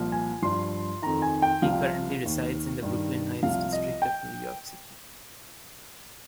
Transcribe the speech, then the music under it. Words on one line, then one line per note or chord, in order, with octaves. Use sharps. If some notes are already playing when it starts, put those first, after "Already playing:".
He currently resides in the Brooklyn Heights district of New York City.
Already playing: C2 A#2 F3
G#5
G2 F3 C6
F2 D#3 A#5
G#5
G5
C2 C3 F3 F5
D#2 D#3
G2 D#3
C2 C3 F3 F5
D#5
G5